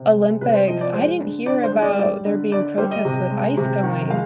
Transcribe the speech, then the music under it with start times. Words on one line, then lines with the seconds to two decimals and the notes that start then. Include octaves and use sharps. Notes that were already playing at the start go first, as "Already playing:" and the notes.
Olympics, I didn't hear about there being protests with ICE going.
Already playing: C3
0.15 G#3
0.41 C3 B4
0.54 C5
0.68 F3 D#5
0.81 D5
0.94 G#3 C5
1.21 D3
1.46 D3 D5
1.64 C5
1.72 G#3
1.82 D5
1.99 G3 D5
2.26 D3
2.52 D3 D5
2.78 G3 C5
2.91 D#5
3.05 C3
3.31 G#3
3.57 C3
3.83 D#3
4.10 G#3 F5